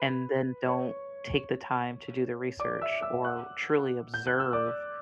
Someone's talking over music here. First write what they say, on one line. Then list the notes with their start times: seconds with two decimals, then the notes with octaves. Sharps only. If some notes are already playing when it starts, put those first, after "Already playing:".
and then don't take the time to do the research or truly observe
Already playing: B4
0.66 C#5 C#6
2.59 D5 D6
2.81 E5 E6
3.02 E5 E6
3.24 F#5 F#6
4.14 G6
4.27 F#6
4.40 E6
4.53 D5 D6